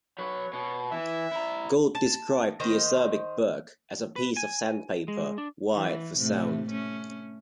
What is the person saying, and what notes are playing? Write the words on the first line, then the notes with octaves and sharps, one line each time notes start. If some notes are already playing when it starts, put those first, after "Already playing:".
Gould described the acerbic Burke as a piece of sandpaper wired for sound.
F#3 B4 C#5
B2 B3
E3 E5
E4 A#5
A5
D#3 D#4 C5
B4
G#5
G#3
D4
E3
A2 C3 A3
A3 C#4